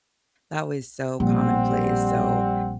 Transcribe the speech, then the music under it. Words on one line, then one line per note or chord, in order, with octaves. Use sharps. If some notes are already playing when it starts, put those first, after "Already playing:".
that was so commonplace, so
A#1 G3 C4 F#5